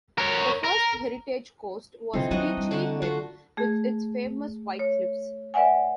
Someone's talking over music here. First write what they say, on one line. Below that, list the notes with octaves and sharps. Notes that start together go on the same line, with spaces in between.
The first heritage coast was Beachy Head with its famous white cliffs.
A#4 C#5
A#4
D3 E3 F3 C4 D#4 F4
F#3 D4 E4 F#4 D#5
G3
D3 F#4
F#3 A3 F4 F#4
A3 G#4
C#5
B4 D5 E5 F#5 G#5